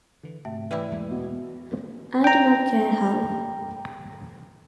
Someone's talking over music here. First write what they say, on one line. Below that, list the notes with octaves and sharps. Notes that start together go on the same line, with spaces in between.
I do not care how.
D3 E3
G#2 C3 A3 E5
E3 G3 E4
E2 G#3 A#3
B2
G5 A#5